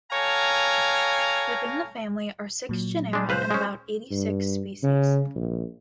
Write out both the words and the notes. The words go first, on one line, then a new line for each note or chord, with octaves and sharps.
Within the family are six genera and about eighty-six species.
A4 C#5 F5 G5 G#5 A#5
A#2 F#3
G#3 D4
C#2 B4 C5 F5
G#3 C#4
G2
C#3
A#1